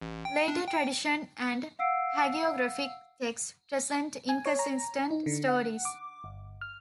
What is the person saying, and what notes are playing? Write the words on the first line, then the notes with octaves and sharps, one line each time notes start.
Later tradition and hagiographic texts present inconsistent stories.
A1
G5
D4
G5
F5 F#5 E6 C7 D7
G#5
C#5
A#5
D#4
D3
F#5
D6
G1
F6